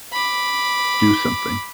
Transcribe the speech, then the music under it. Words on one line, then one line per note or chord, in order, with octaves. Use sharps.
Do something!
B5 D6